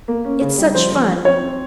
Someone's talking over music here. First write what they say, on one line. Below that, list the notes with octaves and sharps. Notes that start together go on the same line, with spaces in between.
It's such fun!
A#3
C#4
C#3
G3
F3 C5
F3
F3
C4 C#5
C4